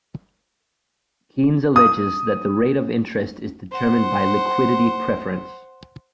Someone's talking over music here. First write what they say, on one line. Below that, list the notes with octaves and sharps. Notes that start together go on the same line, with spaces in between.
Keynes alleges that the rate of interest is determined by liquidity preference.
D#6
C5 F#5